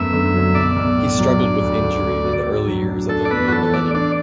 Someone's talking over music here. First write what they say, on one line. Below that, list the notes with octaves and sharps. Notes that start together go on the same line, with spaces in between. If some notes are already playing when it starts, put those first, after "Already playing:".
He struggled with injury in the early years of the new millennium.
Already playing: F#2 A3 B3 E5
D3
F#3
B1 D5
B1
A2
F#3
D4
D2
D3
A3
F#4
A2
F#3
D4
D4 A4
D5
E2 B4
F#4
E3 A4
A3 D5
D4 D5